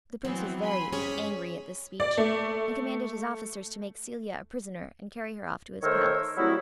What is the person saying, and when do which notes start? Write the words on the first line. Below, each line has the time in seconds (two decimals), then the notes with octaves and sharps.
The Prince was very angry at this speech, and commanded his officers to make Celia a prisoner and carry her off to his palace.
0.25 E3 F#3 B3 C4
0.60 G#5 B5 C6
0.93 G2 C3 C#4 G#4 B6
2.00 D5
2.17 A3
5.83 D#3 A3 A#4 C5 C#5 E6
6.37 F#3 G3 A3 C4 D#4 E4